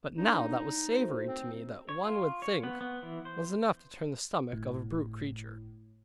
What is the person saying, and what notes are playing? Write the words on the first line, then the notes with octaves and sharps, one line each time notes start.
But now that was savory to me that one would think was enough to turn the stomach of a brute creature.
A2 A#3 D4 D#4
A3 F#4 C5
C4
C#5
F4
C#5
B3
B3
E3
C5
G1 A2